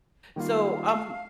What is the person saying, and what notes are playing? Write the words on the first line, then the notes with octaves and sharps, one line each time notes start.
so, um,
D#3 G3 A#3 F4 F5 G5